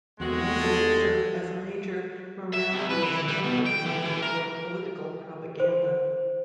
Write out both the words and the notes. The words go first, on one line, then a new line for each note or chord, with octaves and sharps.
The incident served as a major morale-raising opportunity for political propaganda.
E2 C3 G#3 A3 F#4
D#2 G3 A4
E5
C2
B4
E3
G3
B2
G5
E3
E3
A#4
C5